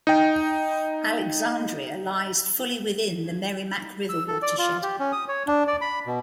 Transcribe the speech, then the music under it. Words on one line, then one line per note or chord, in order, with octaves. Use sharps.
Alexandria lies fully within the Merrimack River watershed.
D#4 G5
E6
A4
D5
F4
G4
C#4
D#6
C#5
D4
D5
B5
B2